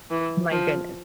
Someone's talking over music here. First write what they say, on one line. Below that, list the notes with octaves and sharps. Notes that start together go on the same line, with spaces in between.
My goodness.
E3
F3